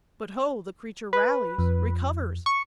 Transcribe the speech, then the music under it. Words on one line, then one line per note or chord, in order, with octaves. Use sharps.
But ho! the creature rallies--recovers!
B4
F2
C#6